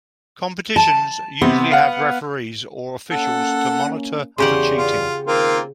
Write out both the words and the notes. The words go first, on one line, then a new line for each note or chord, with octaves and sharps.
Competitions usually have referees or officials to monitor for cheating.
A5
C3 B3
F5 F#5
A#3 C#4 A4 F#5
E2 C#3 G4 D5 F#5 C6
F4
D#3 A#3 C4 F4 A#4